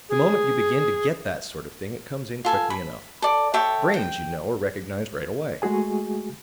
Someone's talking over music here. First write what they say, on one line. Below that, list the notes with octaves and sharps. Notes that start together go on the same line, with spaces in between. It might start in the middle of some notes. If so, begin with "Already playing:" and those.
The moment you begin to get that sort of thing it comes in quickly enough. Brains, you know, are recognized right away.
G#4
F4 A4 G#5
B5
A4 D5
A4 C#5 E5 G5
G5
G#3 A3 F#4 G#4 G#5